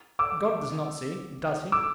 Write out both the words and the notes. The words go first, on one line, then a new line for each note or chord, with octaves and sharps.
God does not see, does he?
D6 E6
D6 E6